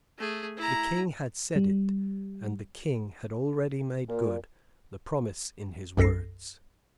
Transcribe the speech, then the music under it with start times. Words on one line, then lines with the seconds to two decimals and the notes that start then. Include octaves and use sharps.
The King had said it, and the King had already made good the promise in his words.
0.18 A3 G#4
0.57 E4 A#5
1.56 G3
4.09 A#2
5.97 B1 F#2 A4 A#6 C7